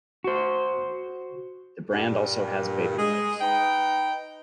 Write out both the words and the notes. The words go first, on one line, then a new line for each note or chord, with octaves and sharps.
The brand also has baby wipes.
F#4 C5
G2 A#2
G#3 G#4
D#4 B4 G5